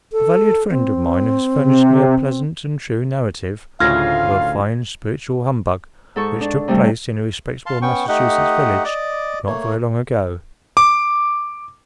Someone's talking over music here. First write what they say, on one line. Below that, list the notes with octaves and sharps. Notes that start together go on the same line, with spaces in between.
A valued friend of mine has furnished me a pleasant and true narrative of a fine "spiritual" humbug which took place in a respectable Massachusetts village not very long ago.
A4
C4
C3
D2 A2 C#3 F4 F5 F6 G#6 A#6
G#2 A4 C#6
D4
C3 G3 A3
F5 A5 C6
B3 C#4 G5 C#6
A3 D#4 G4 D#5 F#5
D5 D#5 D6
A3 A#3 C#5
D6